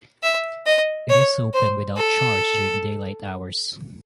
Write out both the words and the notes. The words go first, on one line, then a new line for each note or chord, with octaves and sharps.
It is open without charge during daylight hours.
E5
D#5
C#5
C5
A4